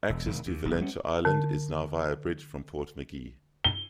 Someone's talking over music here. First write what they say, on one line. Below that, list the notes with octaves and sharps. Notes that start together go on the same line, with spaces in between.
Access to Valentia Island is now via a bridge from Portmagee.
E1
E1 D#3
D#2
D#1 B1 F2
G3 C#4
D3
G7